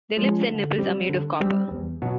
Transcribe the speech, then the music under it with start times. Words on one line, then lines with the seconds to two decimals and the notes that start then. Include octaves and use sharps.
Their lips and nipples are made of copper.
0.17 F3 G#3 C#4
0.48 D3
0.78 G3 C4
1.09 D3
1.40 G3 C4
1.71 E2
2.02 B2 F#3 B3